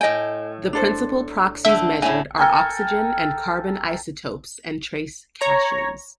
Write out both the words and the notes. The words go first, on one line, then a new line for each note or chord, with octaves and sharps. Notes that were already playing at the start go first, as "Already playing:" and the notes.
The principal proxies measured are oxygen and carbon isotopes and trace cations.
A2 D#5 G5 G#5
D4 A4 C5
D3 A3 E5
A2 C#3 E4 G#5
A4 A#4 G5 G#5
C#5 A#5